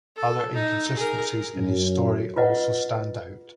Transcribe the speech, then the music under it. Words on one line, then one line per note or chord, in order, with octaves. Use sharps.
Other inconsistencies in his story also stand out.
A4
D#4
G#4 A#4
F#2
F4 B4 D#5 F#5